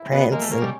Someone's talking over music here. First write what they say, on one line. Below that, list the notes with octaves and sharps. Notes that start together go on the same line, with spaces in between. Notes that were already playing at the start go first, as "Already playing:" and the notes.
Prince and,
Already playing: E4
B2 B3
G#3 A#3
A3
A#3 C#4
G3